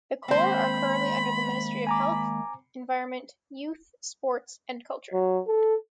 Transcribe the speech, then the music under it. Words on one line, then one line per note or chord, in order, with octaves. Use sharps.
The Corps are currently under the Ministry of Health, Environment, Youth, Sports and Culture.
D#3 G#3 A#3 C4 C5 B5
G#5 A#5 D6
F#3
A4